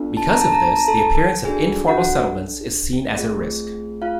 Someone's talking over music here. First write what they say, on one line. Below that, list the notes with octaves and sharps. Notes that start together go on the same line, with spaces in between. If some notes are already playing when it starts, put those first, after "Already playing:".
Because of this, the appearance of informal settlements is seen as a risk.
Already playing: B3 D4 F4 A4
A5
A#5
A5
A#5
A5
A#5
A4 A5
D4 F#4 G#4 A4 G#5
F#4 F#5
A3 C4 F4 G#4
F4 F5